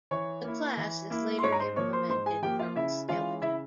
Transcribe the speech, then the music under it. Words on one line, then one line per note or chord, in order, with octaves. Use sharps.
The class is later implemented from the skeleton.
E3 C#5 C#6
A#3 E4
E3
A#3 E4
C6
G#2 C#5 C#6
A#5
C5 C6
F3 A#3 C#5 C#6
C5 C6
G#2 C5 C6
G#4 G#5
F3 A#3 G4 G5
F4 F5
C#3 E4 E5
E3 G#3 C#4 F4 F5
C#3 E4 E5